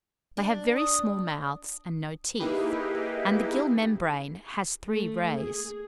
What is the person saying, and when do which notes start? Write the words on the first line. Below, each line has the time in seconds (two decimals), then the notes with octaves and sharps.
They have very small mouths and no teeth, and the gill membrane has three rays.
0.37 D4
0.77 D#6
2.40 A#3 D#4 E4 G4 G#4 B4
4.89 A3
5.36 G#4